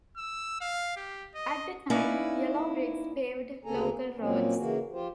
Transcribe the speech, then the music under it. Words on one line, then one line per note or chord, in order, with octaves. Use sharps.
At the time, yellow bricks paved local roads.
E6
F5
G4
D#5
A#3 C#4 D#4 E4 B4 D5
D2 C#3 A#3 A4 G#5 A#5
B3
A#2 F#3 A#3 C4 C#4
C#3 E3 A#3 F#4
F3 F4 G4 C5